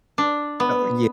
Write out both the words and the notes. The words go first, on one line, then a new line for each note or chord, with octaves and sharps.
Oh, yeah.
D4
B3